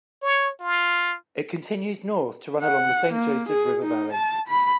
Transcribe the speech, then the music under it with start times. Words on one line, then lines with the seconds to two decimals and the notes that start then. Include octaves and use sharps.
It continues north to run along the Saint Joseph River valley.
0.22 C#5
0.60 F4
2.62 F#5
3.12 A#3
3.48 G#4
3.82 D#4
4.13 A5
4.48 B5